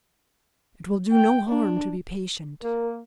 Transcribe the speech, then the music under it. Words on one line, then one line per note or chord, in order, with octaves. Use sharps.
It will do no harm to be patient.
G5
D4
A#3 A#4